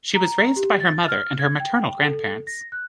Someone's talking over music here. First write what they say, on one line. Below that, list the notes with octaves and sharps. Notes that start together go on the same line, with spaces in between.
She was raised by her mother and her maternal grandparents.
A#5
G4
A6
F6
G#6
G5
A4
A#6
F#6